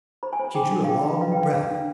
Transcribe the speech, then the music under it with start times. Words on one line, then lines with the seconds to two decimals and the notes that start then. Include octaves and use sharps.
She drew a long breath.
0.23 C5 B5
0.33 G#5
0.39 C5
0.45 G#5
0.55 G#4 G5
0.72 D4
0.84 F5
0.88 G#4 G5
1.05 D4
1.21 B4 F5
1.32 G5
1.37 B4 F5
1.53 G#4 F5
1.71 D4